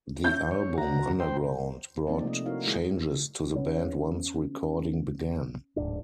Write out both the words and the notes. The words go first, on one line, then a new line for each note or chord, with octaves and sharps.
The album, "Underground", brought changes to the band once recording began.
C#4 G6
C#5
D2 F#4 A#5
C5 G5
F3 A#3 C4 D#4 D5
C3 A3 C4 D#5
D#4 E4 F#4 A#4 C#5 F5
D3 G#3 E4 G#4
B3 C#4
D1 G#1 G#2 D4